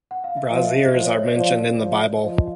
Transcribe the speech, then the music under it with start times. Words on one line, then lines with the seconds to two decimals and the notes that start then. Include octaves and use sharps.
Braziers are mentioned in the Bible.
0.11 F#5
0.24 F5
0.37 E5
0.50 F3 D#5
0.65 E5
0.80 D#5
0.93 F3 C5
1.04 C#5
1.15 C#5
1.26 D5
1.37 F3
1.81 F3
2.24 F3 D#5